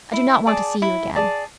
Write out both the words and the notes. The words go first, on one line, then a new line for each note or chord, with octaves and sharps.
I do not want to see you again.
E4
G#4 D5 A5
E4
G#4 D5 A5